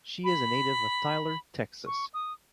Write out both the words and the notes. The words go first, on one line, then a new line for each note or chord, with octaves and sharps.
She is a native of Tyler, Texas.
B5
C#6
D#6